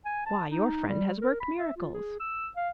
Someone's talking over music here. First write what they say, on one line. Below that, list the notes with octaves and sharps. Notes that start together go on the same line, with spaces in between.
"Why, your friend has worked miracles."
G#5
A5
D#4
G3
A#4
B5
E5
F4
G#4
E6
F5